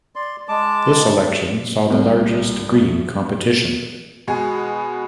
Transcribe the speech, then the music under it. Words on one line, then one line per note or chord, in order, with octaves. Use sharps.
This election saw the largest Green competition.
D5 C6
G#3 A5 D6
C2
B2 G#3 G#4